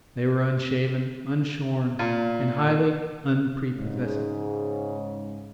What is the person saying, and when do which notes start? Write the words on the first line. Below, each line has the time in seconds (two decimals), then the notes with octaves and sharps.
They were unshaven, unshorn, and highly unprepossessing.
1.99 A#2
3.75 G#2 C#3